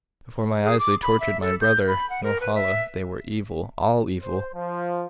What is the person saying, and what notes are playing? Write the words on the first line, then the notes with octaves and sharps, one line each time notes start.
Before my eyes they tortured my brother. Norhala--they were evil, all evil!
G#4
D6
B5
E5
A4
G6
B5
F#5
A#4
B4
E5
C5
F3